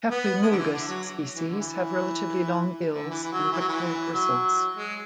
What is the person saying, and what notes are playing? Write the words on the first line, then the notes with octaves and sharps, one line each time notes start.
"Caprimulgus" species have relatively long bills and rictal bristles.
B3
G#3
D3
E3
D3
F#3
E3
D3
E3
D3
E3
E3
F#3
E3
F#3
E3
F#3
G#3